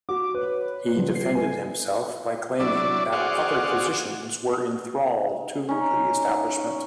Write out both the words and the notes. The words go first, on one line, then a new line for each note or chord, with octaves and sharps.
He defended himself by claiming that other physicians were in thrall to the establishment.
F#4 D6
B4 C#5
C#3 F3 G3
C7
B4 G#5
F#3 D4 E4 D5
F#4 G#4 C5 D5 F5 F#5
C#4 D#4